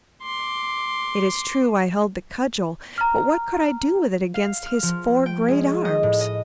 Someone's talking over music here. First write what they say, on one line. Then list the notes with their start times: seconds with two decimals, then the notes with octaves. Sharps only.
It is true I held the cudgel, but what could I do with it against his four great arms?
0.23 C6 D6
2.98 A#5 F6
4.34 F5
4.66 F6
4.83 F3
5.26 G5
5.48 G#3
5.85 D#5
6.03 A2
6.21 D#5